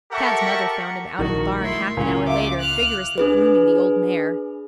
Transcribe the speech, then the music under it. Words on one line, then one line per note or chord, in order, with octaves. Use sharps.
Tad's mother found him out in the barn half an hour later, vigorously grooming the old mare.
G4 A4 A#4 E5 F#5 C#6
A#1 D#3 F#4
A3 E4 C6
C#2 A#2 C#4
F4 E5 D6
F6 F#6
D4 G#4 B4